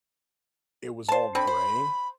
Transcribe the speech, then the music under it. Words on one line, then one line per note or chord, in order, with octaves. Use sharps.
it was all gray,
C5 A5
D3 C4 B5
C5